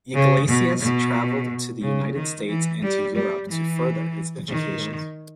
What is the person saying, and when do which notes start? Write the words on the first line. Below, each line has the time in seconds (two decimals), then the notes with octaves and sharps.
Yglesias traveled to the United States and to Europe to further his education.
0.14 C#3
0.47 B2
0.81 B2
1.82 C#3
2.14 D#3
2.48 E3
2.82 G3
3.15 G3
3.48 E3
4.48 D#3